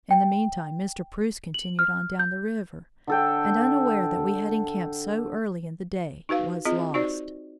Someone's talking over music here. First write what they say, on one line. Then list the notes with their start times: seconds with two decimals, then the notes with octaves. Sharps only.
In the meantime Mr. Preuss continued on down the river, and unaware that we had encamped so early in the day, was lost.
0.11 G5
1.54 F#7
1.79 F6
2.19 G6
3.07 D3 A4 G5
6.29 D#4 F#4 B4 F5
6.65 C4 F4 G#4 D#5
6.94 D#4 F#4 C5 D5